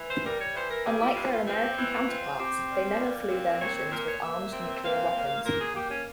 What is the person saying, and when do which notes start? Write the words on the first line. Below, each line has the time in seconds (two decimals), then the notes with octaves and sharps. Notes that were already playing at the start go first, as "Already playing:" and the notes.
Unlike their American counterparts they never flew their missions with armed nuclear weapons.
Already playing: E3
0.09 C5
0.23 G3 A#4
0.39 C#5
0.54 E3 C5
0.69 A#4
0.85 G3 G#4
1.01 E4
1.15 E3 F4
1.31 F4
1.46 C4 F4
1.62 G4
1.77 E3 E4
2.07 C4 F4
2.38 C4 G4
2.69 G3
2.99 A#2
3.30 C4
3.60 A#2 C#5
3.76 C#5
3.91 A#2 A#4
4.06 C#5
4.22 A#2 E5
4.52 C4
4.83 A#2 F5
5.13 A#2
5.44 A#2 A#4
5.59 G#4
5.74 A#3 G4
5.90 C#4